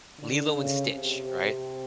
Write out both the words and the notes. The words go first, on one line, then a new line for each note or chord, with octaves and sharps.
Lilo and Stitch, right?
D3
C#3
C3